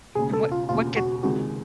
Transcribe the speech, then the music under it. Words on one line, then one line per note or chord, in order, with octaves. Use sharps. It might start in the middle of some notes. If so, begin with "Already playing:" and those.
And what what could
E1 D#2 C#3 G#4
A4
F4
E1 D#2 C#3 F4
F#4
C#2 C3 D#3 G#3 C4 F#4